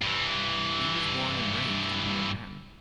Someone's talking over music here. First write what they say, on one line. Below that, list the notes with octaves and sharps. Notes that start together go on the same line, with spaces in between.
He was born and raised in Manhattan.
G2 E3